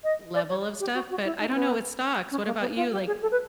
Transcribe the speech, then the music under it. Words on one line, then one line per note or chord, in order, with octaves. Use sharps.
level of stuff, but I don't know with stocks, what about you, like,
D#5
D5
C#5
G4
F#4
F#4
E4
D#4
C4
B3
C#4
A#3
B3
F4
G4
G#4
A4
B4